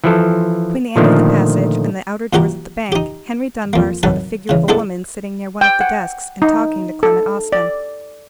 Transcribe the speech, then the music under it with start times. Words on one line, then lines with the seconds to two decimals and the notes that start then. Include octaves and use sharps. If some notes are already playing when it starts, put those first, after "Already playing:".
Between the end of the passage and the outer doors of the bank, Henry Dunbar saw the figure of a woman sitting near one of the desks and talking to Clement Austin.
0.04 E3 F3 A4
0.96 A#2 D3 D#3 F3 A3
2.33 A#2 E3 F#4 G4 A#5
2.92 D#4 G4
3.73 F2 A#3
4.03 C2 D#3 F#3 B4 A5
4.49 C#3 E3
4.68 G#3 B3 D4 E4 A4
5.61 G5
5.81 F#5
6.42 D#4
7.03 A4
7.52 D5